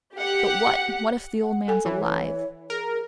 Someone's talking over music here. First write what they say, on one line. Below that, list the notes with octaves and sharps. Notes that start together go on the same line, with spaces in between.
But what, what if the old man's alive?
G4 F#5
F#5
A4 G#5
E3 C#5
G#4 A#4